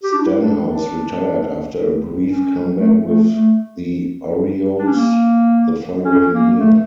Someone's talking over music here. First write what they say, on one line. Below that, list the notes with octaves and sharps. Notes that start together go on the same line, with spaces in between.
Stanhouse retired after a brief comeback with the Orioles the following year.
G4
D4
E4
D4
D4
C#4
A3
A3
A3
D4
C#4
A#3
C#4
A#3
A3